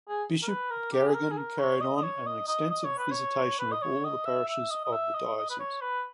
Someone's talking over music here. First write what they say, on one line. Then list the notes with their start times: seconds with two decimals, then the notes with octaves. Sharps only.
Bishop Garrigan carried on an extensive visitation of all the parishes of the diocese.
0.08 G#4
0.42 A#4
0.48 B4
0.70 A#4
0.92 G4
1.07 G#4
1.14 A#4
1.31 G#4
1.37 A#4
1.59 C#5
1.81 D#5
1.96 D#5
2.03 C#5
2.26 D#5
2.48 D#5
2.70 D#5
2.84 C#5
2.98 B4
3.11 C#5
3.59 B4
3.72 D#5
3.82 C#5
4.04 D#5
4.26 E5
4.49 E5
4.71 D#5
4.85 D#5
4.93 E5
5.15 D#5
5.37 D#5
5.50 B4
5.59 C#5
5.82 B4